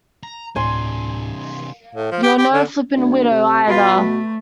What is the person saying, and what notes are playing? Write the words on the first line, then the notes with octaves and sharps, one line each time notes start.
You're no flipping widow, either!
A#5
D2 A2 C3 D4 G#5 C6
A2
F3
G4
G4
D3
D2
C3
B2 F4 B4
A3